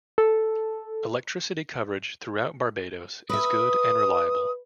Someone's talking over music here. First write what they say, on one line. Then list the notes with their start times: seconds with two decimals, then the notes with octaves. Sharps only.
Electricity coverage throughout Barbados is good and reliable.
0.18 A4
3.29 B4 E5 D#6